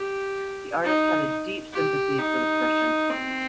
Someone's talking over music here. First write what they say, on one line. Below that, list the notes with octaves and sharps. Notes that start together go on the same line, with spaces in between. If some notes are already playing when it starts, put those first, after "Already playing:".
The artist had a deep sympathy for the Prussian king.
Already playing: G4
D#4
G4
D#4
C4